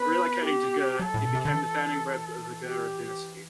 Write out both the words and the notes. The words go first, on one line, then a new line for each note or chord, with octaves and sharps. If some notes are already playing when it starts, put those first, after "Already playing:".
Relocating to Ger, he became the founding rebbe of the Gerrer dynasty.
Already playing: B3 B4
G4
F#3 A4
A2
B2
C3
D3
E3
G4